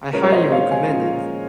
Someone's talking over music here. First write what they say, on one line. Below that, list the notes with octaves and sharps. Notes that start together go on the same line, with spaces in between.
I highly recommend it.
A#2 F3 G#3 C#4 A#4 C#5
C#5
C5 D#5
C#5 F5
F5 G#5
A#2 F3 G#3 C#4